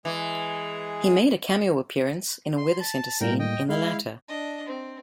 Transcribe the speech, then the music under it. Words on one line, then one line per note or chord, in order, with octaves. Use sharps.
He made a cameo appearance in a weather center scene in the latter.
E3 G#3 G#4
C6
A5
A2 G3 A#3 A#4 G5
D#5 G5
G#3 E4 F5
D4 D#5
C4